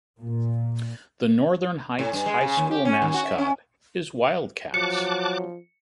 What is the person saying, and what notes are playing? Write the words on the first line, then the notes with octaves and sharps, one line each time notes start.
The Northern Heights High School mascot is Wildcats.
A#2
A2
G2
G#3
C#3
D#2
G4
C#4
D#2
F#4
E5
C#4
F3 F#3 A5 D6 F#6 C#7